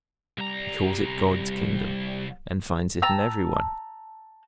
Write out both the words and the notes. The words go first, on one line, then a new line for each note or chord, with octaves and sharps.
He calls it 'God's Kingdom,' and finds it in every one.
C2 G3 A#5
A5 A#5 E6